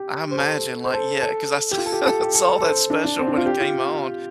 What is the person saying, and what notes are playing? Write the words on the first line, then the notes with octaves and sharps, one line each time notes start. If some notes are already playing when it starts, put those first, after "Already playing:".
I imagine, like yeah, 'cause I sa saw that special when it came on
Already playing: G4
C5
A4
C5
A4
A4
G4
F4
A4
G4
A4
G4
A4
A4
A4
C5
D4
D4
C4
D4
F4
G4
F4